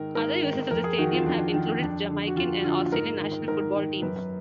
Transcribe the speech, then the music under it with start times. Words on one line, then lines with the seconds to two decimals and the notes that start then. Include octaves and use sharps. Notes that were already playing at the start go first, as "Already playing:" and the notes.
Other users of the stadium have included the Jamaican and Australian national football teams.
Already playing: G#2 D#3 A#4
0.15 G#2 A#4
0.43 D#3
0.71 F2 A#4
0.84 G#4
0.98 D#3 F#4
1.13 F4
1.25 F2 D4
1.54 D#3
1.81 F2 D4
2.09 D3
2.27 F#4
2.36 F2 F4
2.57 F#4
2.64 D3 F4
2.92 G#2 A#4
3.20 D#3
3.48 G#2 A#4
3.75 D#3
4.02 F#2 B4